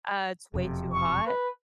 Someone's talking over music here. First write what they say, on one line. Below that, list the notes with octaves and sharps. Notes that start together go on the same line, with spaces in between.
Uh, it's way too hot.
E1 F2 C3
C#6
B4